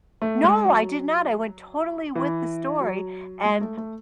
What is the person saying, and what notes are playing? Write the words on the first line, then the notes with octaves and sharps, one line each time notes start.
No, I did not, I went totally with the story and
A3
G#3
F#3
E3
F#3
G#3
A3
A3